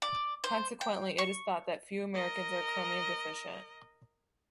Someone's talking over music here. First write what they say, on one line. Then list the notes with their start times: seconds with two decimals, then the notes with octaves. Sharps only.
Consequently, it is thought that few Americans are chromium deficient.
0.02 D5
0.44 C5
0.81 G5
1.18 C#6
2.14 A#4 D#5